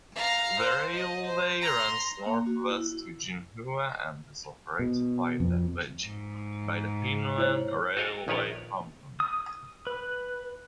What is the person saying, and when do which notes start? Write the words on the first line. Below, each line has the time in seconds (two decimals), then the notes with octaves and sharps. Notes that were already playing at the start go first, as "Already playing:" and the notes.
The railway runs northwest to Jinhua and is operated by the Jinwen Railway Company.
0.16 F5 A#5
0.59 C5
0.95 D#5
1.25 C5
1.61 A#5 C6
2.26 A#3
2.46 F#4
2.70 E4
4.79 B2
5.40 F2
6.02 G#2
7.38 E4 C5 C#5
7.97 F#4 A4 D#5 F5 G5 G#5
8.28 A#1 D#3 B4 C#5 D5
9.20 D#6
9.87 B4